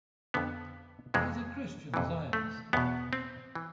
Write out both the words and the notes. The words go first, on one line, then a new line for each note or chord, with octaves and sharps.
He is a Christian Zionist.
F2 D3 B3
F2 C3 E3 G#3
F2 C3 E3
A3
E2 B2 B3
C4
E3